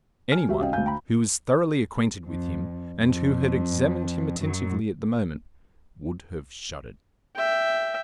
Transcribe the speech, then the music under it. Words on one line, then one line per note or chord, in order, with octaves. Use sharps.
Any one who was thoroughly acquainted with him, and who had examined him attentively at the moment, would have shuddered.
G#5 F6
F1 F#4 G4 E5
C#4 D#5 F5 G5
D2 F5 G#5 G6
G5 A#5 B5
F2
F2
F#2 F#3
E5 G5